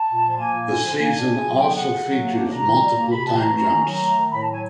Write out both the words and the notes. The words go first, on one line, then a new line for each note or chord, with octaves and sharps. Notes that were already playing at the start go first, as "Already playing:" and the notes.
The season also features multiple time jumps.
Already playing: A5
A#2
F3
A#3 G#5
A#2
D3
F3
A#3 G#5
D4
C#3
F#3
B3 G5
C#3 F#5
D3
F#3
A#3
D4
C3 A#5
D#3
G3
A#3
C3 B5
E3 A5
A3 A#5
C#4 A#5
D#3
F#3
A3
D#3
A2 B5
A#5
A5
F#3 G#5